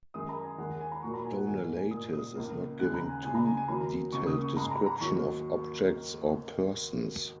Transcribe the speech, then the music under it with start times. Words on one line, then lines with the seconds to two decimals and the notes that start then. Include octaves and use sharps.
Donelaitis is not giving too detailed description of objects or persons.
0.14 F#2 D#3 G#3 D#6
0.29 A#5
0.44 G#5
0.58 D#2 D#3 G#3 F#5
0.69 F#5
0.81 G#5
0.92 A#5
1.03 A#2 F#3 A#3 C#6
1.14 A#5
1.24 G#5
1.36 F#5
1.47 G#2 D#3 A#3 G#5
1.76 G#5
1.91 A#2 A#3 D#6
2.13 D#6
2.35 C#2 C#3 A#3
2.79 D#2 C#3 G#3 F#6
2.94 A#5
3.09 G#5
3.24 C#2 C#3 G#3 G#5
3.35 A#5
3.46 G#5
3.57 G#5
3.68 D#2 D#3 F#3 A#3 A#5
4.12 C#2 C#3 A#3 C#6
4.27 D#6
4.42 C#6
4.56 G#2 A#5
4.59 G#3
4.71 A#5
4.86 A#5
5.01 D#2 D#3 F#3 A#3 C#6